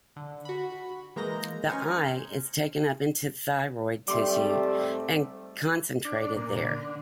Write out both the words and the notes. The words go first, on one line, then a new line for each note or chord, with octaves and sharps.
The I is taken up into thyroid tissue and concentrated there.
D3
F#4 B5
E3 G#3 A#3 A#5 G6 A#6
C#4 D#4 C5 F5 G#5 C#6
G#2 G3 A3 C4 E5 C6 D6
D4
A#2
D3